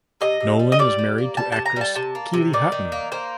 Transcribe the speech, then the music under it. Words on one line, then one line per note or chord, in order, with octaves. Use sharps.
Nolan is married to actress Keely Hutton.
C3 D#5
C3
G3
D#5
G3 D5
G3
A#3
G3 A5
C3 A5
A#5
G3 A5
C3 A5
A#3
C3
D#3 D5
D#3
A#3
A#3 C5